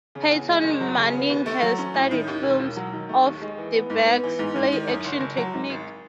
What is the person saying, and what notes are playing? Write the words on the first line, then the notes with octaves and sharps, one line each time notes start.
Peyton Manning has studied films of DeBerg's play-action technique.
C#3
E2
G#3
F#1
F#3
C#3
B3
D#2
A3
F#3
C#4
A2
D#3
D#2
E1
E1
F#3
D#3
A3
D#2
G#3
E3
B3
G#2
B3
E3
G#2
G#2
D#3
F#2
F#1
F#1
F#3
G#2
G#1